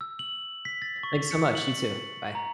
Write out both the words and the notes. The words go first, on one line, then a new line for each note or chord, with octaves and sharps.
Thanks so much. You too. Bye.
E6
F#7
B6
A6
C#6
C#7
F#7
A#5